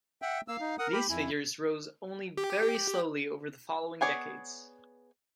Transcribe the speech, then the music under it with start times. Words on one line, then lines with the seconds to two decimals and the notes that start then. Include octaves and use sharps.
These figures rose only very slowly over the following decades.
0.22 E5 F#5 G5
0.48 A#3 F5 E6
0.60 D#4
0.79 A#4 F#5 D#6
0.93 G4 B5
1.09 F2 E4 G#5
2.37 G4
4.01 B3 G#4 C#5 D5